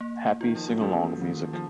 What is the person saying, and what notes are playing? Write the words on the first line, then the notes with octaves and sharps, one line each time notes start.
Happy singalong music.
A#3
D#3 F4
F3
F#3
F3 A3 C#4
D#3
F3